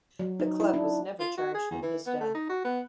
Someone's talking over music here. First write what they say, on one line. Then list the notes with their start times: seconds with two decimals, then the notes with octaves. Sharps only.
The club was never charged in his death.
0.19 F#3
0.40 D#4
0.60 E4
0.74 D4
1.20 F4
1.38 F#4
1.54 G#4
1.71 E2
1.82 E3
2.06 B3
2.21 A3
2.35 D#4
2.49 F#4
2.64 B3